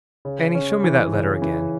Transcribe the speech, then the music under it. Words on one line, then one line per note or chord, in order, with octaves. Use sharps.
Annie, show me that letter again.'
C#3
C#4
E3
C#3
E3